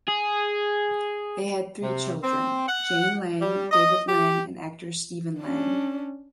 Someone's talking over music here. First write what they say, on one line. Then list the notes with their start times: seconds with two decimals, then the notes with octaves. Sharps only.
They had three children: Jane Lang, David Lang, and actor Stephen Lang.
0.08 G#4
1.83 C3
2.24 C4
2.68 F#5
3.41 G3
3.72 D#5
4.08 G4
5.40 C#4 D4